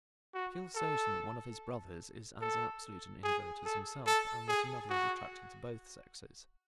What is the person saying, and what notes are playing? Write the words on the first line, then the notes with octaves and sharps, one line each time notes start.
He feels certain that one of his brothers is as absolute an invert as himself and that another is attracted to both sexes.
F#4
A4
A4
G#4
A4
A4
G#4
F#4